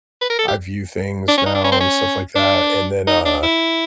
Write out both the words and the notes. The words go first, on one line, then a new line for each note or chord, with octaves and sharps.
I view things now and stuff like that, and then, uh,
B4
A#4
A4
G4
D4
C#4
D#4
D4
C#4
C4
C#4
D4
D#4
D4
E4